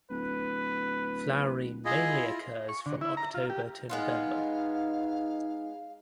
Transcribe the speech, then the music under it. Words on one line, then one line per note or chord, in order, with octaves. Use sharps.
Flowering mainly occurs from October to November.
D1 B4
E4 F4 G#4 D#5
C#6
D3
E4
A#5
F4
G4
G#3 B3 D#4 F4 F5